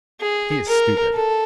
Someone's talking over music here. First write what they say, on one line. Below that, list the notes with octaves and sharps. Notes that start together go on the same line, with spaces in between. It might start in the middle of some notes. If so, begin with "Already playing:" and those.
He is stupid.
G#4
A#4
A4